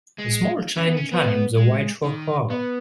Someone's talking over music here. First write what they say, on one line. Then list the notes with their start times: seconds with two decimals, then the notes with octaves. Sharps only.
The small child climbs a white rock wall.
0.18 G#3
0.76 C#4
0.86 B3
0.97 C#4
1.12 B3
1.57 G#3
2.04 D#3
2.50 B3